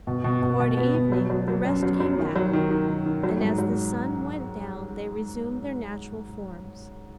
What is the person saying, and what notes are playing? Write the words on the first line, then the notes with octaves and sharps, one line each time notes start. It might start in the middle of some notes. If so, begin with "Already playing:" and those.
Toward evening the rest came back, and as the sun went down they resumed their natural forms.
B2
B2
B2
B2
B3
B2
F#3
F#3
F#3
F#2
F#3
F#3
D#3
F#3
D#3
D#3
D#3
D#3
F#3
G#2
F#3